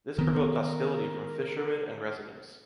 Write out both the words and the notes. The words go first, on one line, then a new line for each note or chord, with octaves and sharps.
This provoked hostility from fishermen and residents.
D#3 B3 A#4